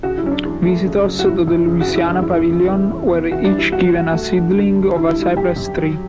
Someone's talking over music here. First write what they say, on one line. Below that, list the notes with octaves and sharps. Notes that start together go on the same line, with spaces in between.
Visitors to the Louisiana Pavilion were each given a seedling of a cypress tree.
C#3 F#4
E4
F#3 C#4
D4
E2
A3
C#3
F#3
F#4
F#2 E4
F#2
C#3
F#4
E3
E4
E2 D4
E4
E2
E4
C#3
E3
E2
B3
E3 F#4
D4
G3
E4
G2 F#4
G2
A3
D4
D3
D3
D3 E4
E4
G3
E4
F#2 G4
F#2
F#3